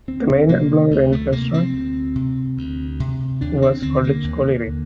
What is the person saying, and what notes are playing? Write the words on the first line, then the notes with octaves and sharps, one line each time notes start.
The main employer in Chesterton was Holditch Colliery.
D2 C4
C4
C3 A#3
D2 A3
A3
C3 A#3
C4
D2
C3
D2
C3
D#2 D4
C4
D3 C4
A#3
D#2
D3